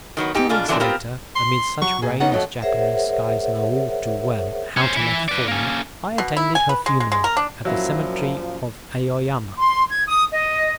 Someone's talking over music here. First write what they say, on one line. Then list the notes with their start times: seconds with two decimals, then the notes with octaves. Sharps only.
Two weeks later, amid such rain as Japanese skies know all too well how to let fall, I attended her funeral at the cemetery of Aoyama.
0.17 D#3 F#3 B3
0.35 G#2 D#4 G4
0.49 B2 D4 F4 G#4
0.68 D3 E3 F#3 B3 C4 D4
0.80 B3 C4 F4 G4 A#4
1.36 C6
1.82 F#3 C#6
2.02 A#2 G#4
2.20 B3 C#4 D#4 F#5
2.32 F2 F#3 A3 D#5
2.62 G#4 A#4 C5 C#5 E5 F#5
4.77 C#4 C5
4.96 E3 E4
5.29 B4 D5
5.48 A#3 C#4
6.18 B2
6.37 E4
6.55 G#5
6.69 B4
6.86 G#3
7.00 G#3
7.12 G#3
7.24 A#4
7.37 D4
7.65 F#2 A#2 F3 F#3 E4
9.59 C6
9.90 G#6
10.08 D#6
10.32 D#5